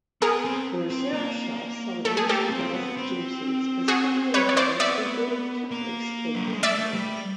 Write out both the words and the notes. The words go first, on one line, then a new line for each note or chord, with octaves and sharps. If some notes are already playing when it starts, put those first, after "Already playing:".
Burusera shops sell used girls' gym suits and school uniforms, including Catholic school uniforms.
B3 G#4 A#4
C4
C4
A#3
A3 A4
G#4
A#3 G4 A4
C4
B3
C4
F#4 G#4
B4 C#5
C#5
C5 D5
B3 D5 E5
A#3
F#3
G3
G#3
A3 D5 E5
G3